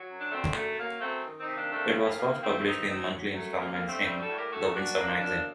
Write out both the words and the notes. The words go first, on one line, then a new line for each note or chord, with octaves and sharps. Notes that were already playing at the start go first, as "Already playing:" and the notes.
It was first published in monthly instalments in "The Windsor Magazine".
Already playing: F#3
F#2
D4
D3 A3 C4
F#2 A3
F#3 A#3
F#2 A3 C4
D#3
C4 D#4
C3
A#3 D4
A3 A#3 D4
A#3
A#2
A#3
D#3 A#3
G2 A3 C4
D#3 C4 D#4
F#2 C4 D#4
F#3
F#2 A3
D3 A#3
A#3
G2
A3 C4
G3 A3 C4
F#4 A4
A2
G4 A#4
A3 F#4 A4
D#4
A#2 D4 F#4
D3 A#3 D4
F#2 A#3 D4